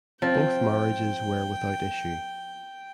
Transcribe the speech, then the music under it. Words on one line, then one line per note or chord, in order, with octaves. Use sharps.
Both marriages were without issue.
F3 C4 G5